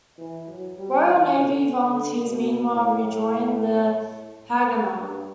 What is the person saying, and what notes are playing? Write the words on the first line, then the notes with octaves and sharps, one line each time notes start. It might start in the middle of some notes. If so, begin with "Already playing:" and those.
Royal Navy volunteers, meanwhile, rejoined the Haganah.
E3
F#3
G3
E3
D3
D3
B2
A2
G2